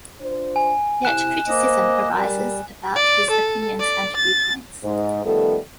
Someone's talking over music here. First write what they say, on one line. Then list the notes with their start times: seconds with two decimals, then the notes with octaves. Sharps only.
Yet criticism arises about his opinions and viewpoints.
0.20 D4 F4 C5
0.56 G#5
1.05 C3 E4 F#6 E7
1.48 A#3 C5 D#5
2.14 G3 A#4
2.96 D5
3.30 A4
3.80 D5
4.16 A6
4.83 G#2
5.24 D#3 F3 G3 A3 B3 A4